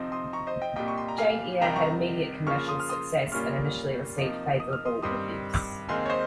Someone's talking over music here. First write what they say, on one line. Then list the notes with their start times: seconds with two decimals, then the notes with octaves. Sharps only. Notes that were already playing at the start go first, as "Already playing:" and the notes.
"Jane Eyre" had immediate commercial success and initially received favourable reviews.
Already playing: C3 F3 C4 D#4
0.12 C6 D#6
0.33 A#5 C#6
0.47 C5 D#5
0.62 D#5 G5
0.76 C2 A#2 G3 D#5 G5
0.88 C#6
0.98 C6
1.08 A#5
1.18 F5 G#5
1.61 C2 C3 D#3 G5 A#5
1.76 A#5 C#6
2.47 C#3 F3 A#3 F4 C#6 F6
2.68 C6 D#6
2.80 F6
2.89 C6 D#6
3.32 A#2 G3 A#3 C#4 F4 C#6 F6
4.18 C3 F3 A#3 D#4
4.60 D#6
4.73 F6
4.85 C6 D#6
5.02 G2 D#3 G3 C4 C6 D#6
5.89 D#2 D#3 G#3 C4 G#5 C6
6.06 C#5
6.10 C5 D#5